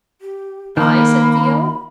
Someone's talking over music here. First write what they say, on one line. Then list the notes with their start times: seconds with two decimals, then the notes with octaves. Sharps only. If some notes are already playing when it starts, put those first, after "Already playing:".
"I?" said Theo.
0.21 G4
0.77 D#3 A#3 B5